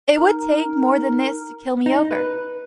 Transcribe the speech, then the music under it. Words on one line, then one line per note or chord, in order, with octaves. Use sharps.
It would take more than this to keel me over.
D#4 A#4
D#4
B4